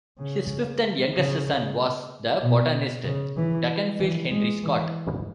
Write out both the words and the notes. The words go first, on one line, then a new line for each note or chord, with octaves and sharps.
His fifth and youngest son was the botanist Dukinfield Henry Scott.
C#3
C#3
B2
C#3
E3
E3
G#3
E3